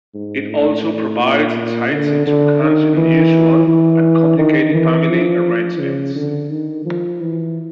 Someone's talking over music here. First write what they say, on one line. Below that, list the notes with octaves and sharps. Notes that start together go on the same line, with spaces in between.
It also provides insights into Kahn's unusual and complicated family arrangements.
G#2
A2
A#2
D3
D3
D#3
E3
E3
D#3
E3
F3
C#3
D3
D#3
F3
E3